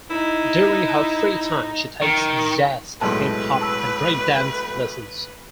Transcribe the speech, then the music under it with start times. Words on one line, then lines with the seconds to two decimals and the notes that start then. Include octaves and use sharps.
During her free time she takes jazz, hip hop, and break dance lessons.
0.10 D#4 E4
2.02 D#3
3.01 B1 A2 G#3 B4 A5 C6
3.61 A5 E6